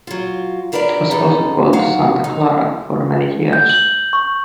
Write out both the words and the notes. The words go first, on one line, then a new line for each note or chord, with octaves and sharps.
It was also called Santa Clara for many years.
F#3 F4
F3 D4 A#4 B4 C#5 D5
C#4 D#4 G#4 A4 B4
D#3 F#3 D#4 F5
D#4
G6
F#7
C#6